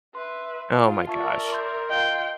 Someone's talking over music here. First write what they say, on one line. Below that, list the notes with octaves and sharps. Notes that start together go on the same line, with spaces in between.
Oh my gosh.
B4 E5 C6
F4
A#4 D5 E5 A5 C#6 G#6
C6 G6
F4 D#5 G5 C6